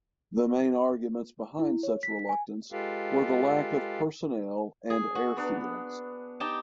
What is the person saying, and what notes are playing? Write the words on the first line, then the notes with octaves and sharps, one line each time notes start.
The main arguments behind such reluctance were the lack of personnel and airfields.
E4
C#5
B6
G#5
G#3 F4 G4 A4 B4 F5
G#4
F#4
B3 D4
D#4 G4 A5